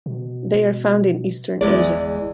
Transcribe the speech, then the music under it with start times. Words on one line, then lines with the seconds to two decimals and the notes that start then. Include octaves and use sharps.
They are found in eastern Asia.
0.06 B2
1.61 G1 E2 G#3 D5